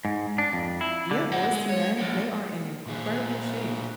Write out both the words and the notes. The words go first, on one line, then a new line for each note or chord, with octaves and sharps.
Yeah, Boyz II Men, uh, they are in incredible shape,
G#2
D4
F2
E4
D3
G#3 F#5
G#3
C#5
F3 A#3
A#2 G#4